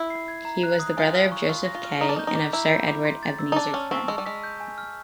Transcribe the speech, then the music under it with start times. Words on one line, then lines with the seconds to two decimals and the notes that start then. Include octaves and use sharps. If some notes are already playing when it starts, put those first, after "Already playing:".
He was the brother of Joseph Kay and of Sir Edward Ebenezer Kay.
Already playing: E4
0.10 C7
0.28 G#6
0.45 A#5
0.63 F#6
0.79 D#6
0.97 F4 G#5
1.14 F6
1.32 C#6
1.49 F4 C#6
1.66 A#6
1.75 F4
1.84 F6
2.01 D#4 A#5
2.09 D4
2.16 D#4
2.19 G6
2.27 D#4
2.36 D6
2.53 E4 A#5
2.70 G6
2.88 D6
3.05 C6
3.23 A6
3.39 E6
3.52 D#4
3.56 D4 A5
3.73 C#4 F6
3.91 C4 C#6
4.08 G#3 E6
4.18 G3
4.26 G#3 B6
4.43 G6
4.60 G#5
4.78 F6